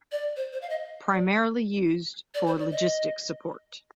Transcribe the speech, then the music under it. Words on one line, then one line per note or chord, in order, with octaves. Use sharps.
Primarily used for logistic support.
D5
C5
C5
F5
D#5
D5
D5
C5
D5
D#5